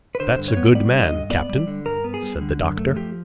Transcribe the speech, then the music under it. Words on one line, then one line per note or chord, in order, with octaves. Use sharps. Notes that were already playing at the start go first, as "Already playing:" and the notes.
"That's a good man, captain," said the doctor.
B4
D3 C5
G2
C#5
B3
G3 D5
D3
D#5
G2
B3 D5
G3
D3
G2 A#4
B3
G#4
G3
D3
F#2
A3
F3 G4